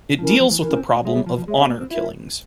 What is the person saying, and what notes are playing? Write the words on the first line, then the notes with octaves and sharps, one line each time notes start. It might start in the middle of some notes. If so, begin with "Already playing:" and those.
It deals with the problem of honour killings.
F3 C#4 E4 A#4
G3
F3
E3
E3 C#4 E4 A#4
C4
A#3
G#3 G#4 C#5 E5
G3
F3
F3
G#3 G#4 C#5 E5
C4
A#3
C4
E4 F4 A#4 E5